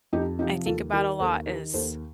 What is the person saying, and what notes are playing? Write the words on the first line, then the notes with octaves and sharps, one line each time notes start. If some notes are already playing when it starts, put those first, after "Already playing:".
I think about a lot is,
F2 D#4 G4
C3 F3 D#4 G4
D#2 F4 A4
D#3 G4 A#4
D#2 A4 C5
D#3 G4 A#4
D#2 A4 C5